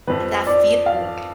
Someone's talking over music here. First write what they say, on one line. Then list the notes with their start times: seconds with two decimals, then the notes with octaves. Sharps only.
And that feeling.
0.07 F2 F3 B4
0.47 D5
0.86 F5